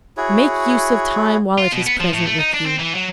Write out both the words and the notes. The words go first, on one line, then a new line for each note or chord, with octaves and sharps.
Make use of time while it is present with you.
E4 F#4 G#4 C#5
F4
B2
B3
F3
A2
A3
D#4
D4
C4
E3
F#3